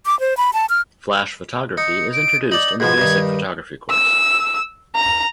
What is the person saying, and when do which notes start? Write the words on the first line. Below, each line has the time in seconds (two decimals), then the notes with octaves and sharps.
Flash photography is introduced in the basic photography course.
0.06 D6
0.20 C5
0.37 B5
0.53 A5
0.70 F6
1.77 D#4 C#7
2.13 D7
2.52 D#4 D5 F#7
2.80 G#2 B2 F3 G#6
2.98 G2 D#3
3.90 E6
4.95 A#5